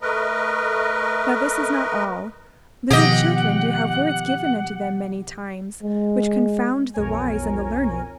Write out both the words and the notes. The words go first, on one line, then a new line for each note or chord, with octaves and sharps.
Now this is not all; little children do have words given unto them many times which confound the wise and the learned.
A3 A#4 B4 D#5
B2 D#3 F3 G4 D#5 F#5
G#3
B1 F2 A#4 C#5 G#5